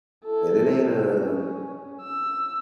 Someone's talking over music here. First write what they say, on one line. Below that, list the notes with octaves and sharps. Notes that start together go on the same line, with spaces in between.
and it ain't a
E4 A4
C#4
E6